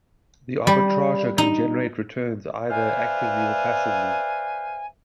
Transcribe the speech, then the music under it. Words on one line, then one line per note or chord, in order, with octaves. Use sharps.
The arbitrageur can generate returns either actively or passively.
G3
D#4
B4 C5 D5 E5 F5 G#5